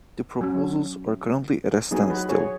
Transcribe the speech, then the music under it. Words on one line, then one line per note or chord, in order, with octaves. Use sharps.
The proposals are currently at a standstill.
F#3 C#4
F#3 B3 D#4 G#4
F#4 B4
G#4 C#5